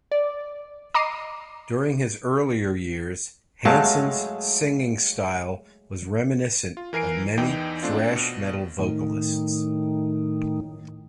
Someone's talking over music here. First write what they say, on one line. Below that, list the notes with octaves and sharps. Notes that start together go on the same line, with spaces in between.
During his earlier years Hansen's singing style was reminiscent of many thrash metal vocalists.
D5
D#5 A#5 D6 C7 D#7
F#3 G#3 A3 F5 A5
F4
E3 A#4 G#5 C7 D7
E2 E3 D#4 G5
A3 C4 D4 F4
B2
A2 D#3